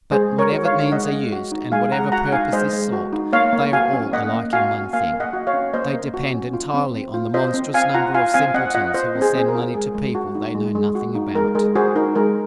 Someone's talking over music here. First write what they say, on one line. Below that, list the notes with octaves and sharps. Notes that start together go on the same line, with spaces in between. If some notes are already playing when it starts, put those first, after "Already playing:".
But whatever means are used, and whatever purpose is sought, they are all alike in one thing--they depend entirely on the monstrous number of simpletons who will send money to people they know nothing about.
G#3 G#4 C5
G#3
A#4 C#5
F#4
C#5 F5
D#4
G#3 D#5 F#5
G#3
F#4
D#4
G#3 F5 G#5
G#3 F#5 A#5
F#4 F#5 A#5
D#4 F5 G#5
G#3 C5 D#5
G#3
F#4
D#4
A#3 C#5 F5
A#3
F#4 F5 G#5
C#4
A#3 D#5 F#5
A#3
F#4 F5 G#5
C#4
A#3 F5 G#5
A#3
D#5 F#5
F#4
C#5 F5
C#4
A#3 C5 D#5
A#3
F#4
C#4
F4
C4
C4
F4
F4 C5 D#5
C4
C4 F5 G#5
F4 F#5 A#5
F4 F5 G#5
C4 F5 G#5
C4 D#5 F#5
F4 D#5 F#5
F4 C5 D#5
C4
G#4 C5
C4 G#4
A#4
F4
G#3 G#4
G#3
F#4
D#4
G#3
G#3
F#4
D#4
G#3 A#4
G#3 A#4
F#4 G#4 C5
D#4 A#4
G#3 A#4